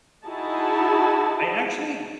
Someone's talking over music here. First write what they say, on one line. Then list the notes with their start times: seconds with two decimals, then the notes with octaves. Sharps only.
I actually
0.24 D#4 E4 F#4 G#4 A5